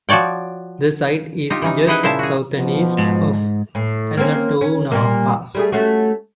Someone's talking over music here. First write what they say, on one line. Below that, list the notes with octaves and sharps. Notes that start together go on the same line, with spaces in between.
The site is just south and east of Allatoona Pass.
F3 F#4 C#5 D5 G5
D#4 F4 G4
E3 C#4 D#4
D#4 E4 G#4 B4 D#5 F#5
A#2 C#3 E4 C5 E5 A5
F#4 G#4
B2 F3
G#2
A2
A#3 C4 C#4
C#4
A#2 G3 A#3
G3 A3 G#4
A3 C#4 F#4